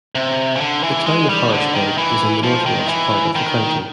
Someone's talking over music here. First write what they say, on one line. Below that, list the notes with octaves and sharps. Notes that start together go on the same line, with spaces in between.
The Town of Harrisburg is in the northwest part of the county.
C3
C#3
D3
E3
G#3
G3
D3
D#3
E3
F3
D#3
E3
D#3